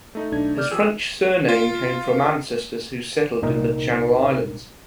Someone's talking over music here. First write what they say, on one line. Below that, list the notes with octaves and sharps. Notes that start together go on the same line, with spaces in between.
His French surname came from ancestors who settled in the Channel Islands.
A3 D#4
B1 D4 G#6
D5 F6 G6
F3 G4 G#4 E6
F4
C2 A#2 D#4 A#4